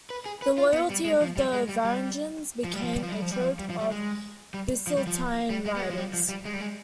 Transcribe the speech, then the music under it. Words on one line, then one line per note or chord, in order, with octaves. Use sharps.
The loyalty of the Varangians became a trope of Byzantine writers.
B4
G#4
B4
F4
B3
G3
G#3
F3
G3
G#3
G3
G3
F3
G3
F3
G3
F3
G3
F3
G3
F3
G3
F3
G3
G#3
G3
F3
G3
F3
G3
G#3
B3
G#3
F3
G3
F3
G3
G#3
G3
G#3